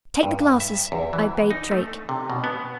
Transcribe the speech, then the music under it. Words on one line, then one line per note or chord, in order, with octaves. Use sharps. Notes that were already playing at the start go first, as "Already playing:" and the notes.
"Take the glasses," I bade Drake.
G2
E5
E2
E3
D#4
A3
C3
B2
B3